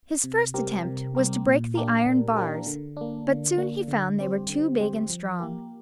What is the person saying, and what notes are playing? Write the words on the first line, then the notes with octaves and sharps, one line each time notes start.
His first attempt was to break the iron bars; but soon he found they were too big and strong.
C3
G3 C4 G4 A#4
C3
G3 C4 G4 A#4
A#2
A#3 D4 G4 A#4
A#2
A#3 D4 G4 A#4
D3
A#3 D4
D3
A#3 D4
D3
G3 C4 G4 C5
D3
G3 C4 G4 C5
F3
A#3 G4 A#4